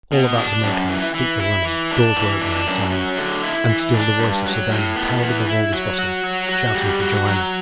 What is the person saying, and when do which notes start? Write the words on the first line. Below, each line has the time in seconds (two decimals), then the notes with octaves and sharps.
All about the Moat House feet were running, doors were opening and slamming, and still the voice of Sir Daniel towered above all this bustle, shouting for "Joanna."
0.13 B2
0.38 D4
0.64 F#2
0.89 E3
1.14 E3
1.39 E4
1.65 E3
1.91 D4
2.16 E3
2.41 D4
2.67 F#2
2.92 F#3
3.18 D3
3.43 E4
3.70 E3
3.94 D4
4.20 G2
4.46 F#3
4.70 A2
4.96 B3
5.22 E3
5.47 E4
5.73 F#3
5.98 F#4
6.24 F#3
6.49 F#4
6.75 G3
7.00 F#4
7.25 F#3